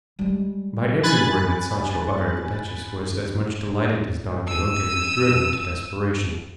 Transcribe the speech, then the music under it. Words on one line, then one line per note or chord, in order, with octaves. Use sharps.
By every word that Sancho uttered, the duchess was as much delighted as Don Quixote was driven to desperation.
G3 G#3
G#5 B5 F#6 A6
E6 D#7